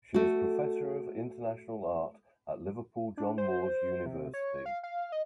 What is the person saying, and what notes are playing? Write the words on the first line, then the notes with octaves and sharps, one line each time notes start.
She is Professor of International Art at Liverpool John Moores University.
A3 F#4
D4
C5
C3
C#5
F5
F5
D#5